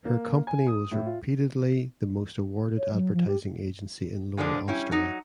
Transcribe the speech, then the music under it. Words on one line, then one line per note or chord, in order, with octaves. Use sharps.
Her company was repeatedly the most awarded advertising agency in Lower Austria.
A#3
G#5
D#6
A2
F4
C#5
F#3
F3
G4
A#2 D3 F3 G#3 D4
G3 C#4 E4
F#3 D#4